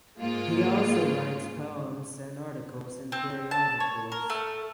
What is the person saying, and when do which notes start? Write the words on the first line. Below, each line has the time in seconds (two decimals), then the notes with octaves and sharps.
He also writes poems and articles in periodicals.
0.19 G#2 G#3 A#3 F4
3.12 C4
3.51 A5
3.80 C#5
4.12 A#4
4.30 A3